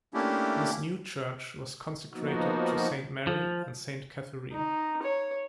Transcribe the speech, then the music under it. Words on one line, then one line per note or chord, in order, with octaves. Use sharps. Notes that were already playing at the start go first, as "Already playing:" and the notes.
This new church was consecrated to Saint Mary and Saint Catharine.
A3 A#3 C#4 D4 E4 G4
F3 A#3 B3 D#4 F#4
F3
D#4
C#5